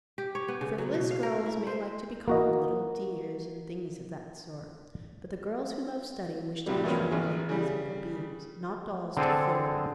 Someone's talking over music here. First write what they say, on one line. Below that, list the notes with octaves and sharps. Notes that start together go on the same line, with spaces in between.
Frivolous girls may like to be called "little dears" and things of that sort; but the girls who love study wish to be treated like reasonable beings, not dolls to flirt with.
G4
C#5
B3
C#3
F#3
B2
F5
A#4
E4
C5
A#3 F#4 D#5
A2 C3 F#3 G3
E2 G2 F3 A#3 B3 C#4
A1 G#4
C#3 G3
D3 C4 G#4 A4